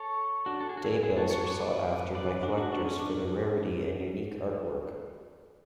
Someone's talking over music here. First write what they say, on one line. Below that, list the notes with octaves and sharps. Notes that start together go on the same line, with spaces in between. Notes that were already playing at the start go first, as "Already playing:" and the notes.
Daybills are sought-after by collectors for their rarity and unique artwork.
Already playing: A4 C#5
D4 F#4
A4
G#4
F#4
E4 G#4
E4 G#4
F#4 A4
A4 C#5
B4 D5
B4 D5
D4 F#4
D4 F#4
D4
C#4
D4